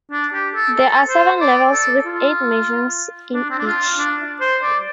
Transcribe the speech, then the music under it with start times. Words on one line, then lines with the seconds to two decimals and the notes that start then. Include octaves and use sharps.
There are seven levels with eight missions in each.
0.12 D4
0.34 G4
0.55 A4
0.77 A4
1.09 C5
1.41 D5
1.73 A4
2.06 F4
3.34 D4
3.50 C4
3.59 D4
3.66 F4
3.99 D4
4.41 C5
4.63 D5